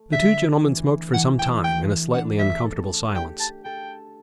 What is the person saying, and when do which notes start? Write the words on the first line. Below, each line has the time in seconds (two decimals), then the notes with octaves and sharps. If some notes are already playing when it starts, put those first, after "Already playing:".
The two gentlemen smoked for some time in a slightly uncomfortable silence.
Already playing: A3
0.13 D3 E5
0.63 E3
1.14 E3 F#5
1.39 A3 G5
1.64 G5
2.14 D4 F#5
2.39 E5
2.64 A4
3.15 G4 G5
3.40 A5
3.64 A4 G5